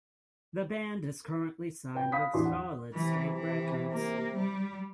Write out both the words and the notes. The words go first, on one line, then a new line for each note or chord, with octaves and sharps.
The band is currently signed with Solid State Records.
B4 G5
F5 B5 D#6 B6
E2 E3 D4 C6
F#5
C3 E3
E3
A#3
G3